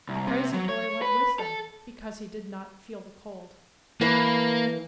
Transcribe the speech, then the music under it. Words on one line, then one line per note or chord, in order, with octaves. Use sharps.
The crazy boy went with them, because he did not feel the cold.
C2
C3
F#3
C#5
B4
A4
E3 A#3 B4 A5